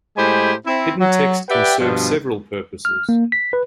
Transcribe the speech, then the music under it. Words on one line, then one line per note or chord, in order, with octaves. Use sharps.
Hidden text can serve several purposes.
A2 G#3 G4 C5 G#5 B5
C4 E4
F#3
G4 B4 D5 E5 F#5 G5
G2 B2 F3
F6
A#3
B6
B4